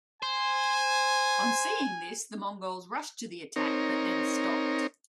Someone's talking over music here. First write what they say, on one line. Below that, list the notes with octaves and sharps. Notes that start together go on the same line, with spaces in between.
On seeing this, the Mongols rushed to the attack, but then stopped.
C5 G#5
C4 D#4 A#4 C#5